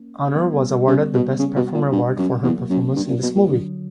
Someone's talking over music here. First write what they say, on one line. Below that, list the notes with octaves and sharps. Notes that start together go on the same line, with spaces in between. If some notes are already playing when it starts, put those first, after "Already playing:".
Aunor was awarded the Best Performer award for her performance in this movie.
Already playing: A#3 C#4
G3 B3
G3 B3
G3 B3
C#3 G3 B3
B2
C#3
B2
A#2
G2
F#2
E2 F#3 A#3
F#2
G2
A#2
B2
A#2
G2 D3 F#3